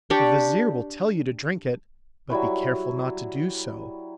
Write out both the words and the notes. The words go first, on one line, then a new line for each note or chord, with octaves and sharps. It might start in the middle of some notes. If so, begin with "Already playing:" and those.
The Vizir will tell you to drink it, but be careful not to do so.
D4 G4 D5 C#6
F#3 G3 E4 C#6